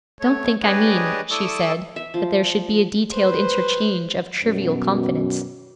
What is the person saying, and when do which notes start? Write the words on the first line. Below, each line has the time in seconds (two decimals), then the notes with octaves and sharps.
'Don't think I mean,' she said, 'that there should be a detailed interchange of trivial confidence.
0.20 A3 C#5
0.63 D4 G4 G#4 B4 C#5 D#5
1.31 E4 A4 D5 C#6 D#6 E6
1.96 E5
2.14 F3
3.13 B4 C5
4.43 F#2 B2